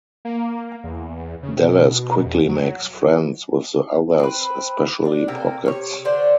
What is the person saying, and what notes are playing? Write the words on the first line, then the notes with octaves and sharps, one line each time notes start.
Dallas quickly makes friends with the others, especially Pockets.
A#3
E2
C#3
B2
E2
F#3
C4 B4
D4
C3 A#3 A4 A#4
C3 C#5
D3 D4 C5 D5